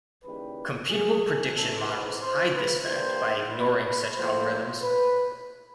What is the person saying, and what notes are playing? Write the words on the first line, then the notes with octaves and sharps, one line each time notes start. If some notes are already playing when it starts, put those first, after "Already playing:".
Computable prediction models hide this fact by ignoring such algorithms.
D#2 C#3 E3 G3 B4
G#4
D2 C3 E3 A3 A4
B4
C5
B4
G2 E3 G3 A#3 C5
B4
B4
A2 F3 A#3 C5
B4